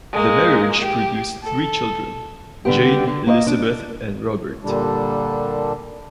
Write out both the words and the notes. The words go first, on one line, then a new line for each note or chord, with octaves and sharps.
The marriage produced three children: Jane, Elizabeth, and Robert.
G#3 A#3
G4
A4
D3 G3 B3 G4
D3
A#3 F4 C#5 D#5
D4
A#2 D3 G3 D4